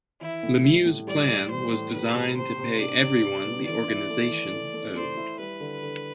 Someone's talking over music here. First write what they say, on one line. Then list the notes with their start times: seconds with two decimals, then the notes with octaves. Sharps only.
Lemieux's plan was designed to pay everyone the organization owed.
0.21 E3 E4
0.43 A2
0.64 G3
0.85 A2
1.07 G3 D5
1.29 G3
1.50 E3 C5
1.73 A2
1.93 C3 B4
2.15 C3
2.36 C3 C5
2.58 C3
2.80 D4 D5
3.01 C3
3.24 G3
3.44 B3
3.66 E3 D5
3.88 E4
4.10 A3
4.31 E3
4.53 A3
4.74 A3
4.95 A3 C5
5.17 E4
5.39 G3 B4
5.60 D3
5.83 D3